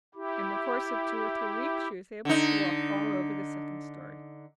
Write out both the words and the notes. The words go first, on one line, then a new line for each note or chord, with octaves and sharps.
In the course of two or three weeks, she was able to walk all over the second story.
E4 G4
D3 D#4